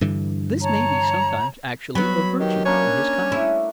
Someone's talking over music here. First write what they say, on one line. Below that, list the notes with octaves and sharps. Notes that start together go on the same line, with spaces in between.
This may be sometimes actually a virtue in his comedy.
G2 D3 E3
C#5 A5 A#5
F#3 B3 B5
D#3 G4
A#3 C#4 D4 C#5
A3 E4